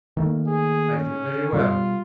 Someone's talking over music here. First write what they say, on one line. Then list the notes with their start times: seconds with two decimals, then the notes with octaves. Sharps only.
"I feel very well."
0.17 D#3 A3 A#3
0.47 G#4
0.95 C#4
1.53 B2 G3 F4